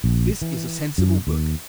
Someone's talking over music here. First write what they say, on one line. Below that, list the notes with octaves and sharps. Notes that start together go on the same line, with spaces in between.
This is a sensible book.
A#1
E3
F#2
D#2